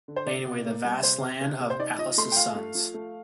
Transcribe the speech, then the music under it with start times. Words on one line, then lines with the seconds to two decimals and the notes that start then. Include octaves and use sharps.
Anyway the vast land of Atlas’s sons.
0.08 D3
0.16 C5
0.26 C3 D5
0.46 C3
0.66 A#3
0.85 G3
1.03 C3 C5
1.22 C3
1.41 C3
1.60 C3
1.70 C5
1.79 D#4 D5
1.98 F3 D#5
2.18 A3 C6
2.32 G5
2.36 F3 F5
2.55 A3
2.75 F3
2.94 A3